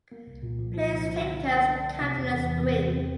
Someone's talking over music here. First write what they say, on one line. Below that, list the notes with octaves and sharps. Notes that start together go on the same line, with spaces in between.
Players take turns cutting a string.
A#3
C2
A#2
F3
F3
C2
D4
D3
D4
A#3
D4
D4
C3
E2
E2
E3
C3
E2
C4